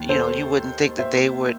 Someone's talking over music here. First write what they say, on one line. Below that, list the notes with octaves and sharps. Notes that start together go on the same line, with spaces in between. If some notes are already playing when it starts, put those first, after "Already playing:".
you know, you wouldn't think that they would
Already playing: D#2 D#3
A4 C5
C5 E5